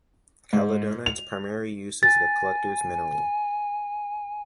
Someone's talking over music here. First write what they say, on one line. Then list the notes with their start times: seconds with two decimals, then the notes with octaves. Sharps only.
Caledonite's primary use is a collector's mineral.
0.53 G#2
1.06 F7
2.03 G#5 A6